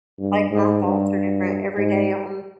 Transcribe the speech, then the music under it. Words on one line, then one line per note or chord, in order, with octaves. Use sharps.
like, my thoughts are different every day on
G2
G#2
G2
G#2